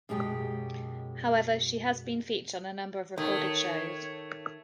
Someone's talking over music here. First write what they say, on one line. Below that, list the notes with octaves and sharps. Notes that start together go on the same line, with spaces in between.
However, she has been featured on a number of recorded shows.
F#2 B2 G#3 G4
D#3 A3 C#5